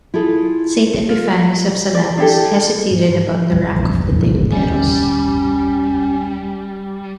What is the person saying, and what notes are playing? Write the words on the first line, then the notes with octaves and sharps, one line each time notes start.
Saint Epiphanius of Salamis hesitated about the rank of the deuteros.
E4 F4 G#4 A4
F4
D5
D4 E4 G4 A4
G#2
E3
F3
G3
E2
F2
D#1 G3 C#4